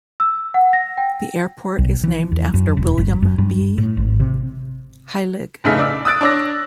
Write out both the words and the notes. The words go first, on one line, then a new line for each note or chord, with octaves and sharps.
The airport is named after William B. Heilig.
E6
F#5
A#6
G5
B1
E3
E2
F#2
E1
G1
F#2
G2
A2
G#1
C3
F1 A#1 C#3 A3 D#4 B6
D5 E6
D#6 E6 F#6 A6 D7
D4 C#5 D5 E6 A#6